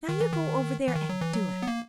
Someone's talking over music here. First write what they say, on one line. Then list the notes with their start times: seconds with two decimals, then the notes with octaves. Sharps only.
Now you go over there and do it!
0.09 D#3
0.21 E3
0.32 D#3
0.88 E3
0.96 D#3
1.09 F#3
1.21 E3
1.33 F#3
1.62 B3
1.67 A#3